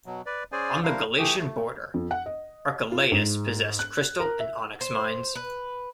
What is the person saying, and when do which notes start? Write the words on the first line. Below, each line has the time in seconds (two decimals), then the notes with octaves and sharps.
On the Galatian border, Archelaus possessed crystal and onyx mines.
0.06 B2 F#3
0.26 B4 D5
0.52 C#4 G#4 C5 D5 G#5
0.83 G3 D4 E4 A#4 C5 F5
1.18 E3 A3 G4 G#4
1.38 A3
1.94 F2
2.11 F#5
2.26 D#5
2.92 F4
3.12 G#2
3.79 F#6
4.20 A#4
4.40 E5
4.81 C5
5.35 B4